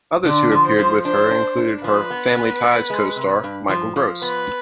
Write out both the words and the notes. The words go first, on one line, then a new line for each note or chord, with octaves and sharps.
Others who appeared with her included her "Family Ties" co-star Michael Gross.
D3 D5
F3
C5
F3
D4 C5
D4
D4
F3 B4
B3
B3
B3
G#3
C3
G2
F3
F3
B3 B4